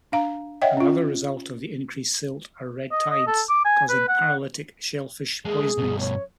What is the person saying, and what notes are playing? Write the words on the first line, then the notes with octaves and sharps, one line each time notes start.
Another result of the increased silt are red tides, causing paralytic shellfish poisonings.
D4 F5 A#5
C#5 D#5 E5 F#5 G5
C#4 F4
D#5
D#5
A4
D6
G#5
B4
F#5
G#3 A#3 G#4
G2 B2
C#5